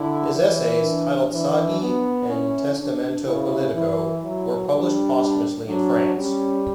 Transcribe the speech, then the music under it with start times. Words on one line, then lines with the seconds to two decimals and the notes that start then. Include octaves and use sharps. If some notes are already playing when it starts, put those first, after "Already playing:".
His essays, titled Saggi and Testamento Politico, were published posthumously in France.
Already playing: D3 E4
0.34 E3
0.83 D4
1.31 E3 D4
1.80 B3
2.28 C#4 E4
2.77 D4
3.25 C#3 E4
3.73 E3 E4
4.23 F#3
4.71 G3 D4
5.67 F#3 D4
6.16 G3 C#4